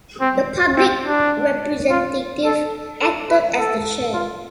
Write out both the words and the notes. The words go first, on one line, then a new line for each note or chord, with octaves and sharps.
The public representative acted as the chair.
C4
C4
D4
F4
A4
A4
B4
A4
F4